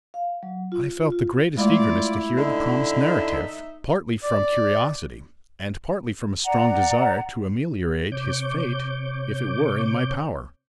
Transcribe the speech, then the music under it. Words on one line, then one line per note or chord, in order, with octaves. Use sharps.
I felt the greatest eagerness to hear the promised narrative, partly from curiosity and partly from a strong desire to ameliorate his fate if it were in my power.
F5
F#3
F4
F4
G#3 A3 E4 F4 D5
D3 D#4 E5
D5
D5 F#5 A#5
C3 C#5 D6 G6